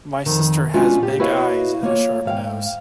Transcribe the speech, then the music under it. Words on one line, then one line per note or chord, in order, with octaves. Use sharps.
My sister has big eyes and a sharp nose.
F2 D#3
G#3 B3 C#4 D4 F4 F#4
A#2 G4
E4 F#4 B4 C#5 D#5 F5
A#3 F4 C#5
G#2 F5 G5